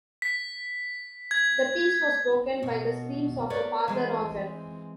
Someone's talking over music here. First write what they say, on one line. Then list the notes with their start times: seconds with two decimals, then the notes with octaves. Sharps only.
The peace was broken by the screams of a parlor organ.
0.22 B6
1.31 G#6
2.63 B2
3.50 A#4 B4 C#5 D5
3.88 E3 G#3 C4